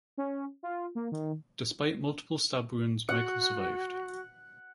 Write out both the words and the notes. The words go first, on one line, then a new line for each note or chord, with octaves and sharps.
Despite multiple stab wounds Michael survived.
C#4
F4
A#3
D#3
F#4 F#5